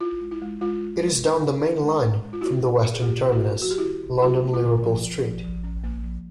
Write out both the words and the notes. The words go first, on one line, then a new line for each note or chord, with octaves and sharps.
It is down the main line from the western terminus, London Liverpool Street.
E4 F4
G#3
E4
G#3
G#3 F4
G#3
G#3
C#4
E4
C#4
G#3
C#4
G#3
F4
A#3 E4 F#4
D#4
D3
G#4
A#3 F4 G4
D3
E4 F#4
A#3
F#3 F#4
G4
D3 E4 F#4
D3
F#3 E4 F#4
A#3
F4
D3
F3
F3
F3
F3
C#4
A#3
F3